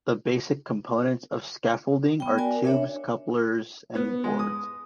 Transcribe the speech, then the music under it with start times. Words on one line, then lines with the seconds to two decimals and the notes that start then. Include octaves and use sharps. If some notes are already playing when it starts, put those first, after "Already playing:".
The basic components of scaffolding are tubes, couplers and boards.
2.20 B3 G5
2.38 F#4 A#4 D5 G#5
2.65 D4 C#5 E5
3.95 B3
4.24 G#3
4.39 D#6